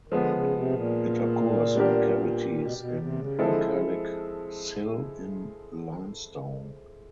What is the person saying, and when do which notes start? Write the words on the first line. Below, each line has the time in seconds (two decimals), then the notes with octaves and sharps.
It occurs in cavities in alkalic sill in limestone.
0.08 D#3
0.12 D3 F3 G#3 B3
0.32 C#3
0.53 C3
0.73 A#2
1.75 G3 B3 D4 G4 A#4
2.58 B2
2.77 B2
2.99 C3
3.18 C#3
3.39 D3 F3 G#3 C4 E4 A4
3.59 C#3